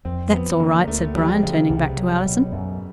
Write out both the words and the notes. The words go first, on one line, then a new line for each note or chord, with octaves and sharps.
"That's all right," said Bryan, turning back to Allison.
F2 C4
F3 B3
D3 A#3
D2 A3
F3 G3
C#3 G#3
C2
F#3
B2
F#2